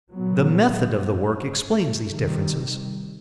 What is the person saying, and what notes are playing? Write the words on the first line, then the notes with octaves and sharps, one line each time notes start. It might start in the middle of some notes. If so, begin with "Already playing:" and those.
The method of the work explains these differences.
A#2 F#3 B3
C3 D#3 G3